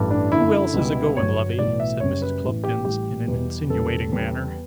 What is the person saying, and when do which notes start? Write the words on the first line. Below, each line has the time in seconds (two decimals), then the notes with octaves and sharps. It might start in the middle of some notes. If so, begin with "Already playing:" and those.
'Who else is a-goin', lovey?' said Mrs. Cluppins, in an insinuating manner.
Already playing: A1 G2 E3 A3
0.11 D4
0.32 F#2 D3 A3 E4
0.74 C#2 B2 G3 B3
1.16 G1 G2 F#3 C#5
1.59 B1 A2 E3 B3 D5
1.80 E5
2.00 F#1 F#2 C#3 G3 C#5
2.22 B4
2.42 A1 A2 E3
2.64 G4
2.84 A1 A2 E3 G3 G4
3.27 E2 B2 G3 B3
3.69 E1 E2 C#3 G3 A4
4.12 E2 C#3 G3